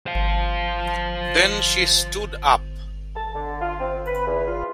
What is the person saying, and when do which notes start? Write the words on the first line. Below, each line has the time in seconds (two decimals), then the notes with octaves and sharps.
Then she stood up.
0.06 C5 F5
3.16 A5
3.35 D3
3.61 F4
3.80 C4
4.06 B4
4.26 E2
4.46 F4